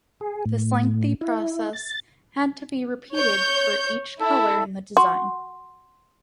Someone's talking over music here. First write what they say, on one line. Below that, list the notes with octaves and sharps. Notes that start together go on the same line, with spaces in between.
This lengthy process had to be repeated for each color in the design.
G#4
A2
E4
A6
C#5 G6
E4 A4
F#4 C6